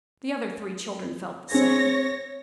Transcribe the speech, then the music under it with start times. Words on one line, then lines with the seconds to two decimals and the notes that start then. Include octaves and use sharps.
The other three children felt the same.
1.51 C4 G#4 C#5 A#6